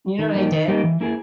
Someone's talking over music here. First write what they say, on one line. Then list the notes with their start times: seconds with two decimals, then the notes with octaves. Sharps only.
You know what I did?
0.19 D#3
0.35 G3 A#3 D#4 G4
0.52 D#3
0.68 G3 A#3 D#4 G4
0.84 E3
1.01 A#3 E4 G#4